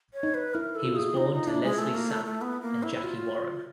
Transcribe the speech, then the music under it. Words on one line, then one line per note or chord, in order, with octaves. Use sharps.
He was born to Lesley Sapp and Jackie Warren.
C#5
D#4
B4
E4 A#4
A4
F4
G#4
D#4 F4
D#4
D4 E4
G#3
A3
A#3
A3
A3
B3
A#3
E4
F4 F#4